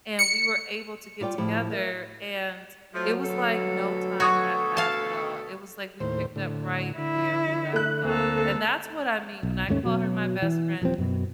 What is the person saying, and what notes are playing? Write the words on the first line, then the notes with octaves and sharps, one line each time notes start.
and we were able to get together. And it was like no time had passed at all, it was, like, we picked up right where we left off. And that's what I mean when I call her my best friend.
C#7
G3 F4 D5 G5
A2 F3 E4 G4
A#4 E5 F5
F3 F#3 A3
D2 B2 A4
F#4 C#6 D#6 G#6
F5 A5
D#2 A2 C5
A2 D3
D3 E4
A3 F#6
D2 A#3 C4 A4
B1
D#2 G#2 A3 C#4
B2 F#3
E3
D#1 F3 G3 C4
F#2 B2